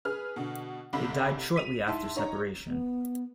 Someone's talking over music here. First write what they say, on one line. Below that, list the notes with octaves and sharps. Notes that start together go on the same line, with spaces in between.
They died shortly after separation.
G#4 B4 F6
B2 D3
G1 C2 C3 B5
B6 D#7 F7
G#2 E4 E5 A5 C6
D#4 C#5 A#5
B3